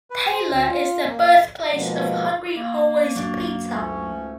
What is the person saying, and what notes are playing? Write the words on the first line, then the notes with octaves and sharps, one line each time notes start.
Taylor is the birthplace of Hungry Howie's Pizza.
B4
C5
D2
F4
A#3
G#2 B2 F3 G#3 A#3 B3
A#3 F5
F#2 D4 F#4
C#2 G#2 A3 C#4